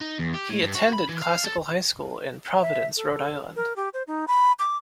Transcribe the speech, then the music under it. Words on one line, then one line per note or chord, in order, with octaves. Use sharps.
He attended Classical High School in Providence, Rhode Island.
D#4
E2
G4
A2
G2
F#4
B5
E3
F5
A4
E5
A4
A#4
G4
C5
D#4
B5
D6